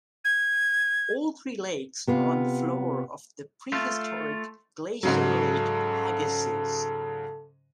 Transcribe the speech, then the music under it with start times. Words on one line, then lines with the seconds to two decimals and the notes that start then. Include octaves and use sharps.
All three lakes are on the floor of the prehistoric glacial Lake Agassiz.
0.25 G#6
2.07 C3 B3 F4
3.72 A3 F4
5.03 G#2 C#3 F#3 A4